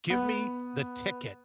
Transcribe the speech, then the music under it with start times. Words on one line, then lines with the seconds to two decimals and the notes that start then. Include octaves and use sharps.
give me the ticket,
0.10 B3